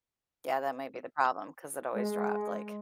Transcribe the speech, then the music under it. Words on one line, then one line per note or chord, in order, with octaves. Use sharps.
Yeah, that might be the problem, 'cause it always dropped, like
G#3